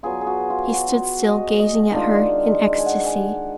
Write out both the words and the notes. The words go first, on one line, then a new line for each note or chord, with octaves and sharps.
He stood still, gazing at her in ecstasy.
F#3 B3 F4 G#4
G#4
F#4
F4
F#4
F4
F#4
D#5
D#5
D#3 G#3 D4 F4
G#5
F#5
G#5
F#5